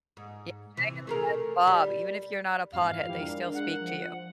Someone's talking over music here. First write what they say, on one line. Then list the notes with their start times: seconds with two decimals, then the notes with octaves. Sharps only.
Yeah, Jay and Silent Bob. Even if you're not a pothead, they still speak to you.
0.17 G#2
0.77 C3 E3
1.07 A3 G#4 A#4
1.67 G3
2.73 F2 G#2 E3 F5
3.05 F3 E4 G4
3.18 G#3 D4 A#4
3.54 F#5
3.80 F3